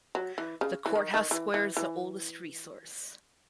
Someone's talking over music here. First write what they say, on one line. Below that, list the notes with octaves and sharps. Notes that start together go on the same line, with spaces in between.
The courthouse square is the oldest resource.
F#3
E3
C#3
E3
D#3
D#3
E3
E3
E3